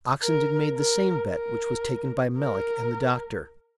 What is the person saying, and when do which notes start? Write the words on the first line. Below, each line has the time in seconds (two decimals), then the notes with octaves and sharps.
Oxenden made the same bet, which was taken by Melick and the doctor.
0.23 A#4
0.77 A#4
1.31 A#4
2.39 A#4